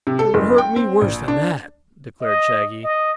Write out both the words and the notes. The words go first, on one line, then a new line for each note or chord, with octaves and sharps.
"It would hurt me worse than that," declared Shaggy.
C3
A4
F#1
G5
C4
A#1
D4
D#5
D#5